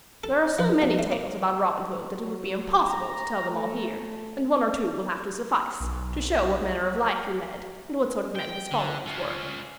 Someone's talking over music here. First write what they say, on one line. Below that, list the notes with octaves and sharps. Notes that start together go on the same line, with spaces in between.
There are so many tales about Robin Hood that it would be impossible to tell them all here, and one or two will have to suffice, to show what manner of life he led and what sort of men his followers were.
A4
F3
B2
A3
A#3
F#3
A#5
A3
B1
G5
D3
C#4 F4